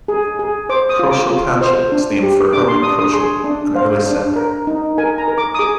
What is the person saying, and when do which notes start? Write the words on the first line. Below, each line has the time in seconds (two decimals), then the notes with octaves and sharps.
Kroschel Township was named for Herman Kroschel, an early settler.
0.08 G#4
0.39 G#4
0.69 C5 D6
0.89 D#6
0.99 F4
1.11 D6
1.30 F4
1.61 C5
1.92 D4
2.23 G4
2.53 D4 D6
2.68 C6
2.83 D4 D#6
2.99 D#6
3.13 G#4 C6
3.44 D4
3.75 C5 F5
4.06 D4
4.36 A#4
4.67 D#4
4.98 A#4 G#5
5.18 A#5
5.28 A#4
5.38 D6
5.54 D#6
5.59 G#4 D6